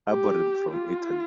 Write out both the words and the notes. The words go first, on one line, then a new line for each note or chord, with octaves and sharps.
Aborym from Italy.
G4
F4